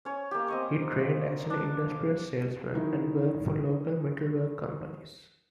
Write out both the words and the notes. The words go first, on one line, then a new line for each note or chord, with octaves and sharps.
He trained as an industrial salesman and worked for local metalwork companies.
C#4 C#5
A#3 G4
C4 D#5 C#6
D4
D#3 D#4 E4